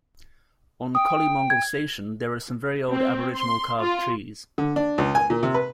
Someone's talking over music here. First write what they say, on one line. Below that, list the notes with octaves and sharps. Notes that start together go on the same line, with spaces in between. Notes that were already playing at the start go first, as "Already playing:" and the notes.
On Collymongle Station there are some very old aboriginal carved trees.
G5 D#6
G#6
C4
C6
F4
D3
D4
C#2
G#5
A#2
C3
B4